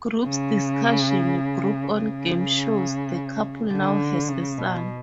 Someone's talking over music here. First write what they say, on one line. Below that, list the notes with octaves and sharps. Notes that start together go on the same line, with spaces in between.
Groups discussion group on game shows; the couple now has a son.
C#3
C#3
D3
C#3
B2